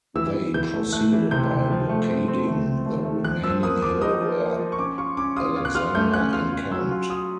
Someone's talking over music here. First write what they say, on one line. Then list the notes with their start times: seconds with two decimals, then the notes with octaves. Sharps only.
They proceeded by blockading the remaining hill were Alexander encamped.
0.15 E3 E6
0.35 E3
0.54 E3 G6
0.73 A3
0.92 A3 F#6
1.13 E3
1.31 C3 G6
1.51 C3
1.70 F3
1.89 A3
2.09 C4
2.28 C4
2.48 A3
2.66 C4
2.86 A3
3.05 A3
3.25 F3 F#6
3.44 F3 E6
3.63 A#3 D#6
3.82 F3 D6
4.01 D#4 D#6
4.21 F3
4.40 A#3
4.59 F3
4.72 C#6
4.79 C#4 D6
4.98 F4 C#6
5.17 C#4 D6
5.36 F4 D#6
5.56 F4
5.65 F#6
5.75 F4 F6
5.95 A3 G6
6.13 C#4 F#6
6.33 F4 F6
6.52 F4
6.71 F#3 E6
6.91 F4
7.10 F4 D#6